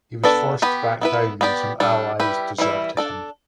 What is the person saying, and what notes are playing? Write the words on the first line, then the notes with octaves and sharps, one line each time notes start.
He was forced to back down when some allies deserted him.
B3 D4 A4 D5
B3 G4 B4
B3 E4 B4
B3 D4 G4 D5
G3 D4 A4
G3 E4 G4 B4
E3 G3 E4
D4 A4 D5